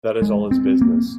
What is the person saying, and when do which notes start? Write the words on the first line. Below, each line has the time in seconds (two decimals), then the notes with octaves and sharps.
That is all his business.
0.22 G#3
0.51 C4
0.81 A#3